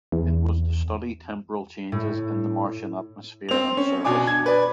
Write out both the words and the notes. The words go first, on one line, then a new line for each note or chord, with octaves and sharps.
It was to study temporal changes in the Martian atmosphere and surface.
E2
A2
C4 F7
C#4
B2 D4 G#5 D6
G#6
B4 D5